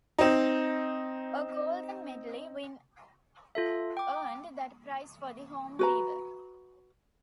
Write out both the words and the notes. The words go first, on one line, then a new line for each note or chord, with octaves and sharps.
A Golden Medley win earned that prize for the home viewer.
C4 D#4
F4 A4 E5
G5 D6
F#4 B4 A#5